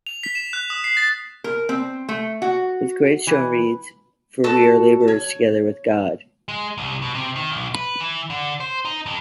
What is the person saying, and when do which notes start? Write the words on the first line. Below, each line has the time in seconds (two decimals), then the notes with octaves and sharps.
His gravestone reads 'For we are labourers together with God'.
0.07 F7
0.23 B6
0.35 E7
0.53 F#6
0.70 D#6
0.84 C7
0.97 A6
1.44 A#4
1.69 C4
2.09 A3
2.42 F#4
3.27 E3
4.44 F#4 A4 A5
5.08 C#5
6.48 G#3
6.78 C2
7.02 B2
7.15 C3
7.36 D#3
7.51 B1
7.75 B4
8.00 E3
8.30 D3
8.60 C5
8.85 D#4
9.06 F2